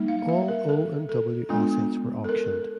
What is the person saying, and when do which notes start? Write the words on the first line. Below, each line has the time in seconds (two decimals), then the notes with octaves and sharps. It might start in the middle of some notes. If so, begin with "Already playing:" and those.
All O and W assets were auctioned.
Already playing: G3 A#3 D#4
0.08 F5
0.29 E5
0.48 A#4
0.69 A4
1.09 A4
1.49 G#3 B3 D4 F4
2.24 A4
2.29 A#4